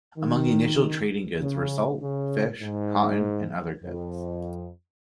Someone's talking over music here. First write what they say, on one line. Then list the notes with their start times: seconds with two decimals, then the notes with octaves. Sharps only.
Among the initial trading goods were salt, fish, cotton and other goods.
0.18 D#3
1.40 C#3
2.01 C#3
2.62 G#2
3.83 F2